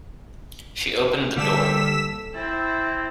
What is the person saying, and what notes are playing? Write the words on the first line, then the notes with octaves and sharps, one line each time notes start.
She opened the door.
D3 G3 A#3 A4 E6 B6 E7
C4 E4 A6